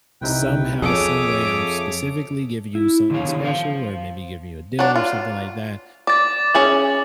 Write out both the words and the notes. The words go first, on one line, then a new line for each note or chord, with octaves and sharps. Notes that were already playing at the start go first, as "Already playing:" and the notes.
"Somehow, someway I'm specifically giving you something special, or maybe giving you a deal, or something like that,
C2 C3 D#4 B4 G5
F2 G#4 A4 C#5 E5 D6 D#6
E4
D3 D#3 G4 A#4 C#5 F5
C5 F5
F#3 D4
F4
D5 D6 A6
C#4 G#4 E5 F#7